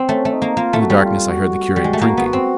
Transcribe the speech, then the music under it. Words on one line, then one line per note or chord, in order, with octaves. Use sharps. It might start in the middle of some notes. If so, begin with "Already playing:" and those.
In the darkness I heard the curate drinking.
Already playing: C4
A3 C#4
A3
D#4
A#3
A#3 F4
A3
F#4
G3
F4
F#4
G3
G#3
A3
A#3 F#4
B3
F#4
C4